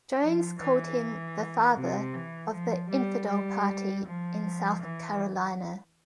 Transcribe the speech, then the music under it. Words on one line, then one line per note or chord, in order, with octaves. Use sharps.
Jones called him "the Father" of the "infidel Party" in South Carolina.
F3
E3
C3
E3
F3
G3
G3
F3
E3